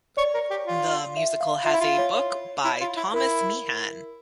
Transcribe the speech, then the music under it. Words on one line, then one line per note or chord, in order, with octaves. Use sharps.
The musical has a book by Thomas Meehan.
C#5 D5
A#4
G4
F4
E5
F5
F4 E5
E4
F4
C#5
C#5
E4
F4
E4
E4 A#4